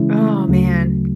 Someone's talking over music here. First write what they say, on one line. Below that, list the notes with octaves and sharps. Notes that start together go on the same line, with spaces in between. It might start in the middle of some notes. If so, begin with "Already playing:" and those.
Oh, man.
Already playing: C#3 E3 G#3 C#4 E4
D2 C#3 F#3 A3